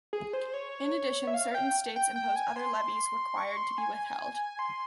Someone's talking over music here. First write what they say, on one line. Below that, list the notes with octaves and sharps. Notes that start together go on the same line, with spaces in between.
In addition, certain states impose other levies required to be withheld.
G#4
C5
C#5
E5
F5
G5
G5
G5
G#5
C6
C#6
C6
G#5
C6